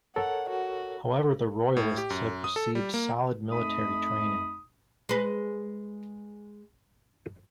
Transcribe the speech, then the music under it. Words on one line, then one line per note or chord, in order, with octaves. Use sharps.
However, the royalists had received solid military training.
A4 A#4 C#5 F#5
F#4
A2
G4
F#2
D#6
A4
G3
A#3
F2 A3 D#4 B5 D#6
G#3 B4